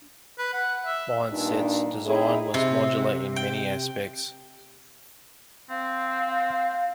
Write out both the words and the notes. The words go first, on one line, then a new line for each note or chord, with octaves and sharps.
Mindset's design was modular in many aspects.
B4
F#5
E5
G2 A#2 D4 D#4
C4 D#4 E4 G#4
C3
G5
C4 F5